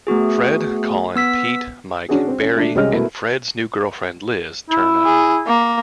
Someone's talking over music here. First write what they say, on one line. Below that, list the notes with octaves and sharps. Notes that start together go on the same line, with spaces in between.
Fred, Colin, Pete, Mike, Barry and Fred's new girlfriend Liz turn up.
A3 B3 F#4 G#4
B3 E6 B6
C#4 D4 F#4 G#4
C4
C#4
A3 D4
C2 G#3 C#4 G4 D#5 F6
B2 A3 E4 A#4
E4
G#4
A#3